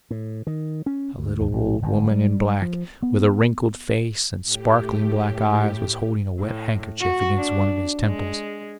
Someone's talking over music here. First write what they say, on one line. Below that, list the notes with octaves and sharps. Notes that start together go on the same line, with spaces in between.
A little old woman in black, with a wrinkled face and sparkling black eyes, was holding a wet handkerchief against one of his temples.
A2
D#3
C#4
D2
D#2
A#1
G1
G3
F3
B3
A2 G4
A2
F#4
D4
G#3